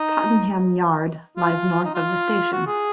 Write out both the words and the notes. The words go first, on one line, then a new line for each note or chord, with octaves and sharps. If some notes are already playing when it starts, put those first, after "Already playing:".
Tottenham Yard lies north of the station.
Already playing: D#4
F4
D#4
F4
F#4
G#4